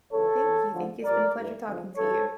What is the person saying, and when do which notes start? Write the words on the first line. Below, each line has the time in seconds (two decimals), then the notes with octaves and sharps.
Thank you, thank you. It's been a pleasure talking to you.
0.12 C#2 C#3 E3 A4 C#5
0.43 E2 E3
0.73 F2 D3 F3
1.04 G2 F3 A#4 D5
1.35 G2 E3
1.66 E2 D3 F3
1.96 C#2 C#3 E3 A4 C#5